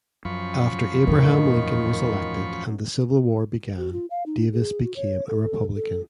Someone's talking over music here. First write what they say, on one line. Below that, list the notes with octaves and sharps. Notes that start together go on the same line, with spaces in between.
After Abraham Lincoln was elected and the Civil War began, Davis became a Republican.
F#2 F3 B5 C#6
E2 A2 D#3
F#4
F4
F5
D#4
G#4
F#4
C#5
A4
A4